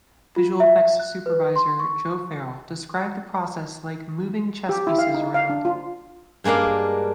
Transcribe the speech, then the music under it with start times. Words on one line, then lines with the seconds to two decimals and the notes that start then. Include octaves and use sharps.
Visual effects supervisor Joe Farrell described the process like "moving chess pieces around".
0.36 F4
0.60 E5
0.99 F#6
1.26 B4
1.56 C6
1.80 C#6
4.69 G4
4.87 E4
4.98 F5
5.15 D#4
5.34 F5
5.50 D4
5.65 F4
6.44 G2 G#3 A#3 D4 F5